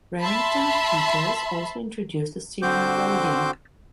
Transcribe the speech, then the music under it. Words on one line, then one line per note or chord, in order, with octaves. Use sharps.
Remington-Peters also introduced a similar loading.
E5 A5 B5 C6
D3 C4 F#4 C5 D6 G6